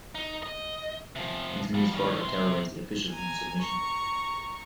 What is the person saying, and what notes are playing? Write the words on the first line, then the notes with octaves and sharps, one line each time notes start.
These moves further terrorized the officials into submission.
D#4
D#5
C3 F3
F3 G3
D#3 C#4
C3 C6
G#5 A#5
A#5 C#6